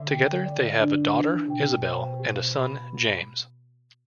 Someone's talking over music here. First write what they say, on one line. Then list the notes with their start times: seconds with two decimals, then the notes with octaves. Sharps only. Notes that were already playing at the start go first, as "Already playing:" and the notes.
Together they have a daughter, Isabel, and a son, James.
Already playing: D3 E5
0.10 G5
0.45 D5
0.79 D3 D4
1.14 E3 D4
1.49 B2 G5
1.84 C5
2.20 G4
2.55 B5